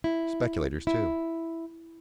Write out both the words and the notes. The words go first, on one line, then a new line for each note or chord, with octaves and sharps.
Speculators, too.
E4
E4